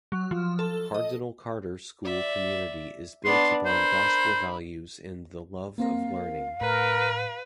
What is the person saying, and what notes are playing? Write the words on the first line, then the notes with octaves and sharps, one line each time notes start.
Cardinal Carter school community is built upon Gospel values and the love of learning.
F#3
F3
A4
D#5
D5 E5
B3 D4 C6
A#4 C5 B5
A#3 C4 A#4 F5
A2 A#4 B4